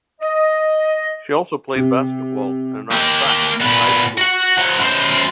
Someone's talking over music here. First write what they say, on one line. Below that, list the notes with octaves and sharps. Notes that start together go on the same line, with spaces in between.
She also played basketball and ran track in high school.
D#5
C3
A#3 G4
A#2 B3
F#4 F#5
F3 F#5
F#2 C5